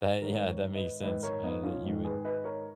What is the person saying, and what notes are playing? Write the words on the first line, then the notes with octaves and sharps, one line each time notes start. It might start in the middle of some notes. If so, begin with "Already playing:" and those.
that yeah, that makes sense, uh, that you would
G#2 D#3 A#4 C#5
A#4 C#5
B4 D#5
G#2 D#3 B4 D#5
A#4 C#5
B3 D#4
C#4 F4
G#2 D#3
G#4 B4
B4 D#5
A#4 C#5